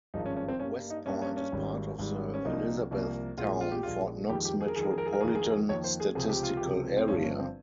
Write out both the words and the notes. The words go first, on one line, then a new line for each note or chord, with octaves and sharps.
West Point is part of the Elizabethtown-Fort Knox Metropolitan Statistical Area.
G#1 G2 F3 G#3 D#4
C#4
C#4
C4
G2 G3 A#3 C#4
D#4
G2 G3 A#3 C#4
C#4
C#4
G#1 G#2 G3
G#1 G#2 G3
C#4
C2 C3 F3 A#3 D#4
C2 C3 F3 A#3
A#1 A#2 G#3 F4
F4
G4
A#1 A#2 G#3 F4
F2 D#3 G#3 G4
G4
G#4
A#4
F2 D#3 G#3 G#4
A#4
G#4
A#4
G#4
A#4
G#4
F2 D#3 A#3 A#4
G#4
A#4
G#4
F2 D#3 A#3 C#5
C5
G#4
C#2 C3 F3 G#3 G#4
G4
F4
C#2 C3 F3 G#3 G4
C4
G1 G2 F3 C#4
C#4
C4